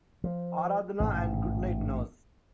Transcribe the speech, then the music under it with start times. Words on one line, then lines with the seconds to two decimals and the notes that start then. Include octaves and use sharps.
Aaradhna and Goodnight Nurse.
0.24 F3
1.00 A1 G#2 B2